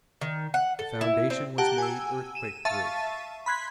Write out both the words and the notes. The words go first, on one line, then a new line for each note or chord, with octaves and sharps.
The foundation was made earthquake-proof.
D#3
F#5
A4
E4
C4
G4 F#5 A5 A#5
G#5 E6
D#7 E7
E5 F5 A5 C#6 A6 D#7
B5 C6 F#6 G#6 B6